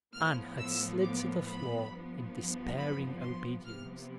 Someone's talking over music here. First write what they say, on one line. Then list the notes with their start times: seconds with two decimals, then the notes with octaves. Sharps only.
Anne had slid to the floor in despairing obedience.
0.14 A2 F3 B3 F6
0.58 E6
1.02 D6
1.46 B5
1.90 G2 F3 B3
2.78 B5
3.21 C6
3.65 C3 F3 B3 F6